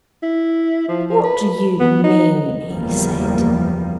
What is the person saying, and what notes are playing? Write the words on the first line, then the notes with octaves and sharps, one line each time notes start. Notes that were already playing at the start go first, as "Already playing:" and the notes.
'What do you mean?' he said.
E4
F3
F3
B4
B3
D#4
F#1 E2 F3 G3 A#3